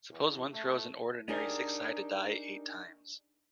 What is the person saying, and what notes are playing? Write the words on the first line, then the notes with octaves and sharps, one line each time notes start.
Suppose one throws an ordinary six-sided die eight times.
E2
A3
D4 D#4 G4 G#4 A#4